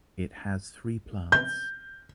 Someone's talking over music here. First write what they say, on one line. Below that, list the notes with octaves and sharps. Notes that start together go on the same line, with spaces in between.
It has three plants.
G6